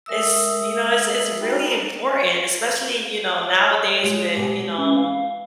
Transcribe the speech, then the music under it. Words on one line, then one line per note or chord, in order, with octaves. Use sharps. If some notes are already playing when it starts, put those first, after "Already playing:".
it's, you know, it's it's really important, especially, you know, nowadays with, you know,
G#3 A#4 E5 D#6 E6
D#4 F#4 G5 A#5 B5
C#5
G#3 F4 G#4
G#2 B2 G4 G#5
G#3
C#4
F5